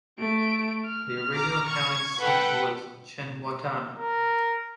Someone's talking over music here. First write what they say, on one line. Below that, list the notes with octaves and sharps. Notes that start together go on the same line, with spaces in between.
The original county seat was Chengwatana.
A3 D7
F6
A#5 D6
C#6 G#6
A4 B4 F#5 G5
A#4